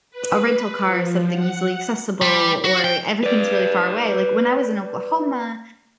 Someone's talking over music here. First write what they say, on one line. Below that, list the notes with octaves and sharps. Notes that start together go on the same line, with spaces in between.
a rental car or something easily accessible, or everything's really far away. Like, when I was in Oklahoma,
B4
F3
F#5
G3
F#4
G5
B4 D5